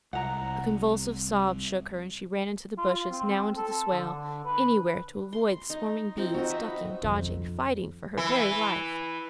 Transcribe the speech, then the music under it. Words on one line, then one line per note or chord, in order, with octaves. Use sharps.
A convulsive sob shook her, and she ran into the bushes, now into the swale, anywhere to avoid the swarming bees, ducking, dodging, fighting for her very life.
C2 F#5 A#5
F4
C4
A4
D3
B4
C6
D#4
F3 C4 D#4
D#4 F#4
B4 E5
F2 F3
E3